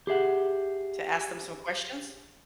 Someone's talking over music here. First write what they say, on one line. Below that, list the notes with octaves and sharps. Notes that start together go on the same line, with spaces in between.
to ask them some questions?
G4 G#4 E5 F#5